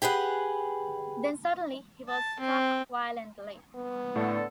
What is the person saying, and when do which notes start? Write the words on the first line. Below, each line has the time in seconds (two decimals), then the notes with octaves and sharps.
Then suddenly he was struck violently.
0.02 G4 G#4 B4 F#5
2.09 A5
2.40 C4
3.75 B3
4.16 A2 D3 A3 A4